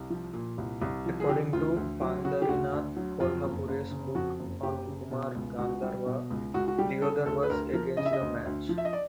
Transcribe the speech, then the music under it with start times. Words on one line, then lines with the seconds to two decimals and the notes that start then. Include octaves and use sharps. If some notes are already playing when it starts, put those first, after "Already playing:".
According to Pandharinath Kolhapure's book on Kumar Gandharva, Deodhar was against the match.
Already playing: C2
0.10 F3
0.34 A#2
0.58 C2
0.81 C2
1.06 F3
1.20 G#4
1.29 C#3 G4
1.53 D2 F4
1.76 D2
2.01 F#3
2.25 C#3 F#4
2.42 G4
2.48 D2 F#4
2.72 D2
2.96 F#3
3.20 F2 F4
3.43 F#1
3.68 F#1
3.91 C#3
4.15 F2 F#4
4.39 F#1
4.63 F#1 G4
4.87 C#3
5.11 B2
5.35 C#2
5.58 C#2 F#4
5.83 G3
6.06 B2
6.31 C#2
6.54 C#2 F#4
6.68 F#4
6.78 G3 G4
7.02 C#3 A4
7.26 D2 A4
7.43 B4
7.50 D2 A#4
7.73 F3 A#4
7.97 C#3 D#5
8.05 E5
8.13 D#5
8.21 D2
8.45 D2
8.69 F3
8.78 E5
8.85 D#5
8.93 D5